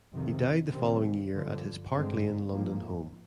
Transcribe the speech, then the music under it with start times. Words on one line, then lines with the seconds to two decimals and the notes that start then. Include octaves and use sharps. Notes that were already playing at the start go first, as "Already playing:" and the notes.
He died the following year at his Park Lane London home.
0.12 F2 C3 D#3
0.72 C3 D#3 G3 C4
1.33 G2 D3 F3
1.92 G2 D3 G#3 C4
2.52 G#2 F3 A#3